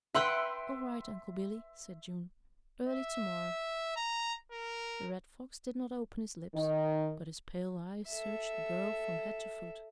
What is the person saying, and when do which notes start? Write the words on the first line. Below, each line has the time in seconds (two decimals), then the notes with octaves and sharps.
"All right, Uncle Billy," said June, "early termorrer." The Red Fox did not open his lips, but his pale eyes searched the girl from head to foot.
0.15 B4 E5 F#5 G5 C6 E6
2.86 E5
3.96 A#5
4.52 A#4
6.54 D#3
8.09 A4 E5